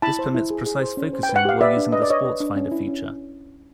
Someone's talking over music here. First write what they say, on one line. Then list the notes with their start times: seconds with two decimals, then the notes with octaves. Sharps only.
This permits precise focusing while using the sports finder feature.
0.02 E4 A5 B5
0.19 C5
0.34 E4
0.50 G#4
0.66 G#4
0.82 C5
0.97 C#4
1.13 C5
1.23 G5
1.29 B4
1.36 F#5
1.45 G4 F5
1.61 B4 D5 E5
1.77 D4
1.92 B4 D#5
2.02 D5
2.08 B4 C#5 D#5
2.25 B4
2.40 D4
2.56 C#4
2.72 E4
2.88 C#4